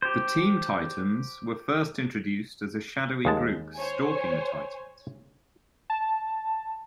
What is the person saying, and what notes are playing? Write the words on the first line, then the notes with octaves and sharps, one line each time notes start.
The Team Titans were first introduced as a shadowy group stalking the Titans.
G4 C5
D#2 G#3 A5
C5 C#5 G#5
A5